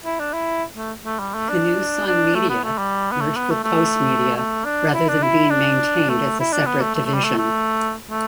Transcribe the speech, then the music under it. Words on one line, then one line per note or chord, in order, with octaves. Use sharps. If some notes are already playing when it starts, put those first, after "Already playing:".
Canoe Sun Media merged with Postmedia rather than being maintained as a separate division.
E4
D4
E4
A3
A3
G3
A3
D4
D4
A3
B3
A3
G3
B3
A3
B3
A3
A3
A3
D4
E4
D4
E4
D4
A3
E4
D4
B3
A3
A3
A3
G3
A3
A3
A3